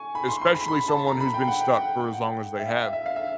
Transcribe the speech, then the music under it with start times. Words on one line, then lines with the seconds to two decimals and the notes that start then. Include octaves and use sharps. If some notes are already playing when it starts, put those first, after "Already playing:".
especially someone who's been stuck for as long as they have.
Already playing: G#5 C#6
0.15 B5
0.28 C6
0.41 C6
0.55 B5
0.68 B5
0.88 A5
1.07 A#5
1.20 B5
1.34 G5
1.47 F#5
1.61 G5
1.74 F#5
2.00 G5
2.14 F#5
2.59 E5
2.67 F5
2.80 E5
2.93 E5
3.06 F5
3.16 E5